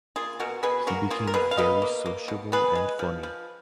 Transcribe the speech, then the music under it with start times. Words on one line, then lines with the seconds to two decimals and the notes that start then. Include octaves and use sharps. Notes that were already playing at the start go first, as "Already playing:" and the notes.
He became very sociable and funny.
0.16 A#3 F4 G#4
0.40 B2 F#4 A#4
0.63 B2 G#4 B4
0.87 A#3 F#4 A#4
1.10 A#3 F4 G#4
1.27 A#4
1.34 B2 G#4 B4
1.51 F5
1.57 B2 B4 D#5
1.82 A#3
2.06 A#3
2.28 B2
2.52 B3 G#4 B4
2.75 G#3
2.99 F3
3.23 F3